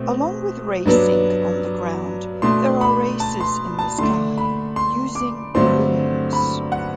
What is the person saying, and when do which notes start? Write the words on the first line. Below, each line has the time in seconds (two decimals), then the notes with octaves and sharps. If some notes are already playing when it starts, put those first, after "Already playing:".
Along with racing on the ground, there are races in the sky using balloons.
Already playing: B2 A3 C4
0.85 G2 F#3 B3 D4
2.42 B2 A3 D4 C6
2.81 B5
3.20 A5
3.40 C6
3.79 A5
3.98 D3 A3 D4 C6
4.38 B5
4.76 C6
5.15 D6
5.55 G2 D3 F#3 A3 C4 C6
6.33 B5
6.72 F#5